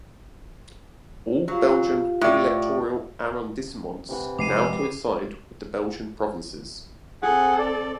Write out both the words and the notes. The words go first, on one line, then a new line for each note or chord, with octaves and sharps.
All Belgian electoral arrondissements now coincide with the Belgian provinces.
F#3 F4 G4 F5
A2 D5
C3 E3 F#5
F1 G#3 D6 C7 D#7
C4 G#4 A4 F#5
D5